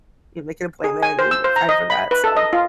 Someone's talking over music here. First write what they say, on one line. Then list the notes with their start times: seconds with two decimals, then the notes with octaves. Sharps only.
you make an appointment and make time for that. So
0.84 G#4
1.03 G#5
1.19 C5
1.31 E6
1.44 C5
1.56 A#5
1.69 D#5
1.90 B5
2.11 B4
2.24 A4
2.37 D#5
2.53 F4